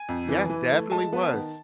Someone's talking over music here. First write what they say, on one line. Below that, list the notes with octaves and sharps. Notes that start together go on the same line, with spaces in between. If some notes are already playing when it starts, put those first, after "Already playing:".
Yeah, it definitely was.
Already playing: G#5
F2
E3
E3
A3
G#3 A5
B3
D#3